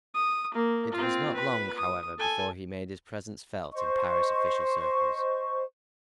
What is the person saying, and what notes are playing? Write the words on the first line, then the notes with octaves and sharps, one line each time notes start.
It was not long, however, before he made his presence felt in Paris official circles.
D#6
A#3
C4 F4
B4 B5
D#6
A4 G#5
C5 D#5 C#6